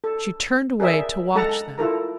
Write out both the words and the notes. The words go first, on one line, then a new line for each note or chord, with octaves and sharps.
She turned away to watch them.
A4
G#4 A#4 D5 E5 G5
G#3 A4 F#5 A5 A#5
E4 F4 A4 A#4 A#5